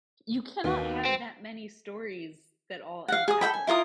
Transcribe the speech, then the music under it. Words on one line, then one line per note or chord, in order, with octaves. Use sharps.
you cannot have that many stories that all end happily.
D#2 F#4 B4 F5
C4
F5 F#5
G#4 D#6
A4 E5 G5 B5
G#5
E4 F4 A#4 D#6